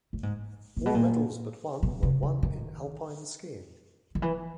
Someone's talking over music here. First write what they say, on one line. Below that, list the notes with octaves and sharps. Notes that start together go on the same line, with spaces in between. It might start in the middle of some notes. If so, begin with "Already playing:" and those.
All medals but one were won in alpine skiing.
A2
G#2
A#2
B2
A#2
B2
C3
C#3
D#3
D#3
E3